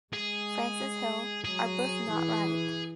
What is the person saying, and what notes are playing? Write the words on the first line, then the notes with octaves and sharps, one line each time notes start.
Francis Hill Arbuthnot Wright.
G#3 G#4
F#3 G#4
E3